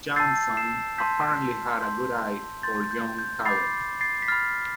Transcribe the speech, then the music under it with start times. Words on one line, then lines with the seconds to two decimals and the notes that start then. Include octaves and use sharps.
Johnson apparently had a good eye for young talent.
0.16 A5 E6 G6 A6 C7
0.57 C7 E7
0.98 A5 C6 G6 B6
1.81 C6 G6
2.63 C6 G6 A6
2.91 G6
3.19 G6
3.45 B5 D6 G6 A6 C7
4.01 A6 C7
4.22 B6
4.28 B5 F6 A6 C7